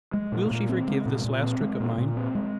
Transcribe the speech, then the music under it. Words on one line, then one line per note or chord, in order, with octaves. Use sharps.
Will she forgive this last trick of mine?
G#3
A#2
A#2
C4
G#3
A#2
A#2
C4
G#3
A#2
A#2
C4
G#3